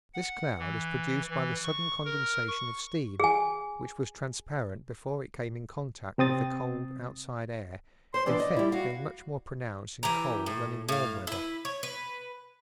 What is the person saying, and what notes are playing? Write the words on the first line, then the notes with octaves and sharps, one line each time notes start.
This cloud is produced by the sudden condensation of steam, which was transparent before it came in contact with the cold, outside air, the effect being much more pronounced in cold than in warm weather.
F#5
E3
E3
C#6
A#4
C#6
G#4 G#5
C3 C4 D#6 A6
C5 C6
E3 B3 D4 D5
D#5
G3 E4
F#4 F5
E3 G4 A#5
A2
A2 F5
E4 B4
C#5
B4